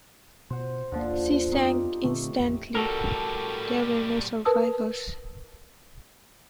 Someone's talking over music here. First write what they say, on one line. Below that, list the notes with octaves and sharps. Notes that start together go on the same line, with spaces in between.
She sank instantly; there were no survivors.
B2 C5 F#5
D#2 D3 F3 A#3
F2 B3 C4 D#4 F4 G4
A#2 D3 A3 C4
A1 F2
A2 G3 F#4 A4 A#4
A#4 B4 A5 D#6 E6